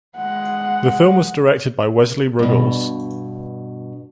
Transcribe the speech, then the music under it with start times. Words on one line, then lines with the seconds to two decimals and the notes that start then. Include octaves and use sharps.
The film was directed by Wesley Ruggles.
0.17 G#3 F#5
2.39 G2 B2